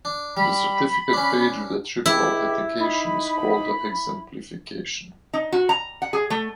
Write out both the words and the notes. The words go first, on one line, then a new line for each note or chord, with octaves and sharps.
The certificate page with the triple authentication is called the exemplification.
D4
G3 B5
C#4 D4
C#2 E4 G4
D#4 B5
D#4
F#4
A#5
F#5
G#4
A3